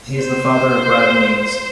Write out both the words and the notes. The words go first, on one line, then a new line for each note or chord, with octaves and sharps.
He is the father of Brad Means.
C5